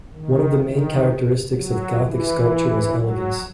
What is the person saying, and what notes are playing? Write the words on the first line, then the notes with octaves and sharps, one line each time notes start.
One of the main characteristics of Gothic sculpture was elegance.
D#3
D#3
F#3
E3
F#3